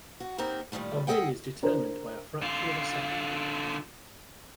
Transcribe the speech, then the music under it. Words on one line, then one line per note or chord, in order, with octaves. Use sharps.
A win is determined by a fraction of a second.
F#4
A#3 C4 D#4 G4 A#4
A#2 D3 D#3 G3 A3
G#4 A4 D5 D#5 F#5 G5
D4 A#4 C5
D3 F4